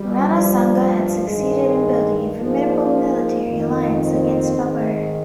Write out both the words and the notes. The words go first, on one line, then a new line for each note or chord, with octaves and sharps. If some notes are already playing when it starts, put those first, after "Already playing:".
Rana Sanga had succeeded in building a formidable military alliance against Babur.
Already playing: G3
G2 F3
G2 D#3 G#3
G#2 F3 A#3
F2 D#3
C4
G#2 D#3